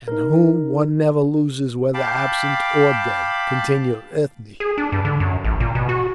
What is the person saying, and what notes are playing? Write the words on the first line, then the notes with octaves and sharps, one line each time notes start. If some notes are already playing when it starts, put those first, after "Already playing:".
"And whom one never loses whether absent or dead," continued Ethne.
D#4 A#4
F5 G5 A5 B5 D6
G#4
D4
G2
D3
F#2
A1
A#2
B2
F#4